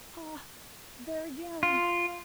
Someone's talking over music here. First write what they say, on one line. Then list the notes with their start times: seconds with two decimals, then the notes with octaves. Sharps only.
Hah! there again!
1.63 F4